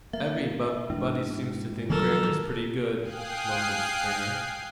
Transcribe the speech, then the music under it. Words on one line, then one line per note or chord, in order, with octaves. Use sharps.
"Every-bub-body seems to think Grant is pretty good," mumbled Springer.
A#3 E5
G#2 E3 D4
D#3 F3 F#3 A4 A#4
F5 G5 G#5 D#6 F#6 C7